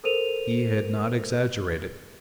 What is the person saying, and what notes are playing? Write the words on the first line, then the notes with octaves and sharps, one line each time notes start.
He had not exaggerated.
A4 A#4 C5 D#7 F7